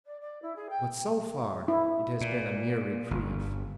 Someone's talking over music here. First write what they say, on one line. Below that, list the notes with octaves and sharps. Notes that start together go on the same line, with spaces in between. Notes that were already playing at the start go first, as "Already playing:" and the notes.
But so far, it has been a mere reprieve.
D5
D5
E4
G#4
G5
E4
A#2
G1